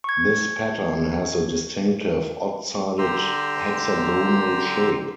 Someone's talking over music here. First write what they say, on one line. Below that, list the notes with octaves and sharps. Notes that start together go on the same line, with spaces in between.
This pattern has a distinctive odd-sided hexagonal shape.
C#6 G#6
D3 G4 A#5 C6 E6